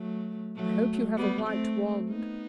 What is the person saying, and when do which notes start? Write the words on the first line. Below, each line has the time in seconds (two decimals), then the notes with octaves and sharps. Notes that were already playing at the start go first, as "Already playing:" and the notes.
I hope you have a white wand.'
Already playing: F#3 A3
0.55 F#3 A3
1.17 G3 B3
1.47 A3 C4
2.09 B3 D#4